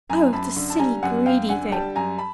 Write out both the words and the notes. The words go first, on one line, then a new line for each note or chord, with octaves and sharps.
Oh, the silly, greedy thing!
F#2 G#5 A#5
F#2 A5 B5
D3
A5
G3 G#5 A#5
F#2 F#5 G#5
F#2 F5 G5
D3 F#5 G#5
G3 G5 A5
F#2 G#5 A#5
A5 B5